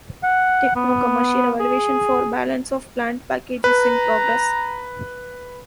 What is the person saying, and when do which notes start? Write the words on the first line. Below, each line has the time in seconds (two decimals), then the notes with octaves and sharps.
Techno-Commercial evaluation for Balance of Plant package is in progress.
0.23 F#5
0.76 B3
1.60 G#4
3.64 B4 A#5